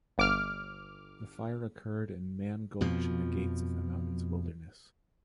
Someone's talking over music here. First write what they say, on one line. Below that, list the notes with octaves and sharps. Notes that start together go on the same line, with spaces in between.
The fire occurred in Mann Gulch in the Gates of the Mountains Wilderness.
G1 D6 F6
F2 B2 F3